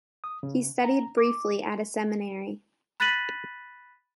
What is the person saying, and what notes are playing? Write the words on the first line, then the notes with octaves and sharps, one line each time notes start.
He studied briefly at a seminary.
D#6
C#3
A#5
D6
B5 F#6 A6 B6 D#7 F#7